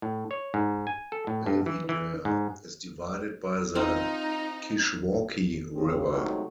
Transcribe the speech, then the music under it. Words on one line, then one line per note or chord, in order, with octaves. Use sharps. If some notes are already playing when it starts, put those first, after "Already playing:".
Belvidere is divided by the Kishwaukee River.
A2
C#5
G#2
G#5
A4
A2
G2
E3
E3
G#2
C4 D#4 F4 C5
D#2 C#3 G3 C4 G#4
C3 F#3 G#3 A3 D#4